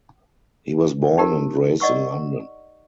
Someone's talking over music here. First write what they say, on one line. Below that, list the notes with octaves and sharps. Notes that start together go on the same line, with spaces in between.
He was born and raised in London.
D#4 G4 A#4
D5 D#5 F#5 C#6 E6